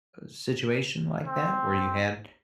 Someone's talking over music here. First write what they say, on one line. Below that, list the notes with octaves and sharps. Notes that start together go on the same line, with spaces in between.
situation like that, where you had,
C4